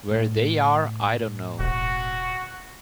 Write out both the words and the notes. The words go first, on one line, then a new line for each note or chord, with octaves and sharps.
Where they are I don't know.
A2
E1 F#4